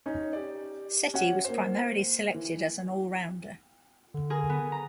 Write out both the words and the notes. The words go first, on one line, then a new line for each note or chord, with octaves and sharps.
Sethi was primarily selected as an all rounder.
C#4 D#4
G4 D5
C#4 F#4 F#5
A#3 C5
E3
D3
G#4 A#4
B3
A#5